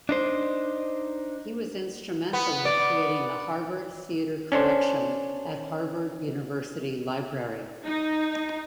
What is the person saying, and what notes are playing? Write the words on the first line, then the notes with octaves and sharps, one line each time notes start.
He was instrumental in creating the Harvard Theatre Collection at Harvard University Library.
D4 D#4 C5
B3
D5
C#4 D4 A4 C5
D#4